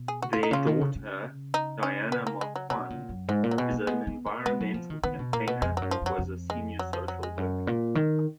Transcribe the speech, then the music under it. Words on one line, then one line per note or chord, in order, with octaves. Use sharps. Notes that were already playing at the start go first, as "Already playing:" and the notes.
Their daughter Diana Marquand is an environmental campaigner and was a senior social worker.
Already playing: B2
G#4
F#4
A#2 F4
D#4
C#3 F4
D#3
C#3
C#3
D#4
C#4
B3
A#3
G#3
F#3
B2 F#3
A#2
F#2
G#2 G#3
A#2
F#3
B2 G#3
A#3
G#3 B3
B3
A#3
G#3 B3
F#3
F3
D#3
D#3 B3
B2
A#2 A#3
B2 B3
F2 G#3
F#2 F#3
F3
F2
F#3
F2
G#3
F#3
F3
F#3
G#3
F#2
A#2
D#3